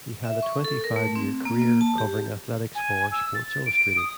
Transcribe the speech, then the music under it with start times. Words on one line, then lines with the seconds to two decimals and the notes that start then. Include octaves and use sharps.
He had a twenty-five-year career covering athletics for "Sports Illustrated".
0.25 E5
0.42 C#6
0.65 A4
0.84 A#4
0.96 A3
1.15 C4
1.45 A#3
1.62 A#3
1.81 A5
1.98 G4
2.75 G#5
3.12 E6
3.35 A6
3.66 D7
3.97 D#6